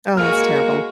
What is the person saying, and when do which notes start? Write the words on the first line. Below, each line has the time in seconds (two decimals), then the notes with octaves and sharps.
Oh, that's terrible.
0.17 G#3 A#3 F#4 F6